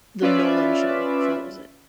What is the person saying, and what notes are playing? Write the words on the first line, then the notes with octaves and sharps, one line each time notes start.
"The Nolan Show" follows it.
C#4 F4 B4 D5 E5